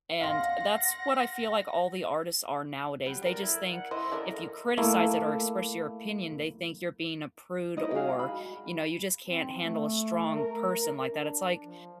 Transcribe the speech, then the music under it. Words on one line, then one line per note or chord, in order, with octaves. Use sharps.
and that's what I feel, like, all the artists are nowadays; they just think if you criticize it or express your opinion, they think you're being a prude or, you know, you just can't handle a strong person like that. It's like,
F5 F#5 C6 A#6
F#3 G3
A#4 D5
E4
F#5
E4 C5 D#5
E3 A4 A#4 D5
A3 A#3 E4
D#4 E4 D#5
F#4 G#4 F5
B5
C4
A3
A#4
D4
F3